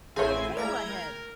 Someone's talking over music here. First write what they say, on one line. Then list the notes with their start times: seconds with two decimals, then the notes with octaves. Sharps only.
"Sail ahead!"
0.16 A1 C4 E4 G#4 C#5 E5 G#5 C6
0.57 G#3 A3 G#4 D5 G5 A#5 G#6
0.88 A#4